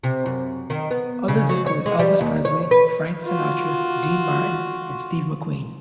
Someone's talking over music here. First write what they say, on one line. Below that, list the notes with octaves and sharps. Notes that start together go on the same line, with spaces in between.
Others include Elvis Presley, Frank Sinatra, Dean Martin, and Steve McQueen.
C3
F#2
D#3
B3
C#3
F#3
C#5
G#3
G3
D#2
C#5
B4
F4 F#4